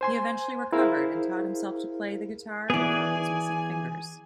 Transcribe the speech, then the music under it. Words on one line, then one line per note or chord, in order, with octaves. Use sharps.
He eventually recovered, and taught himself to play the guitar without those missing fingers.
C5 G#5 C6
E4 G#4 A#4 C5 F5
E3 B3 G#4 D5 G#5